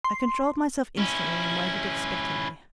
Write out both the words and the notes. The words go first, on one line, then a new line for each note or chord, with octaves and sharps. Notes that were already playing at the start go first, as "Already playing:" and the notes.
I controlled myself instantly and waited expectantly.
C6
C#4 E4